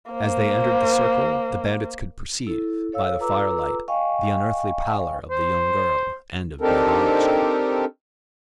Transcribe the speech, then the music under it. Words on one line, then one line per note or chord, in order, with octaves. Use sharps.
As they entered the circle, the bandits could perceive, by the firelight, the unearthly pallor of the young girl and of Diavolaccio.
A#3 C5
E4 A4
A4 C#5 F5 E6
F4 A4 B4 A#5 D6 E6
D#5 F5 G5 G#5 C#6
C5
C4 D4 D#4 G4 A4 A#4